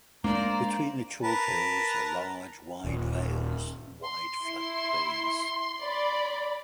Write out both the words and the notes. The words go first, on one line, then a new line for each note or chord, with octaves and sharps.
Between the chalk hills are large, wide vales and wide flood plains.
G#3 A#3 D4 C5 D5 A#5
A#4 B4 A5
D#1
C6
E4
D5 B5